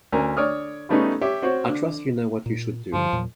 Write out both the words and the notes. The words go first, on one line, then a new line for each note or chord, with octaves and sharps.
I trust you know what you should do.
D2 C#4 A#4 G#5 A#5
D3 C#5 D5 D#6 F6
C#3 G3 A3 B3 C#4 D#4
G4 C#5 E5
C4 F#4 C5 C#5
D3
A#2
G2 D3 F3
E2 A#2 F#3